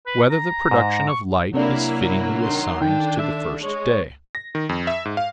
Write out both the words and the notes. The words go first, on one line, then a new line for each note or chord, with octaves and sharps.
Whether the Production of Light Is Fittingly Assigned to the First Day?
B4
A#5
G#2
C#6
C3 F#3 A#3 D4 E4
D#3 C6
D3 D#3 D4 G5
E5
G#3 C#5
A#6
D#3
F2
E5
G#2
F5